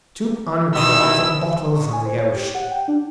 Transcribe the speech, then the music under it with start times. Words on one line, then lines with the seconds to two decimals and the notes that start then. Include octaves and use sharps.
"To uncork the bottles of the ocean."
0.76 B2 D#3 G3 E4 D#6 E6
1.75 C#6
1.93 G#5
2.05 C5
2.19 C#5
2.35 G4
2.55 F#5
2.71 G5
2.88 D4